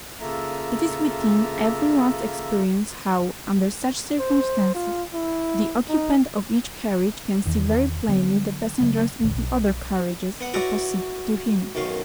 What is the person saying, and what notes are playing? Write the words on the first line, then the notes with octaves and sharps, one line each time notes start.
It is within every one's experience how, under such circumstances, the occupant of each carriage can see very plainly the passengers in the other carriages opposite to him.
C#3 A#3 F4 A4 E5 A#5
C5
F4
E4
D#4
E2 D#3 E3
D3 F#3 B3 C4
C#3 F#3 A3 B3
D#1 A1 D2
B1
B3 F#5
E4 F#4 B4 C#5 D5 A#5
B1 F#2 D#3 C#4 F5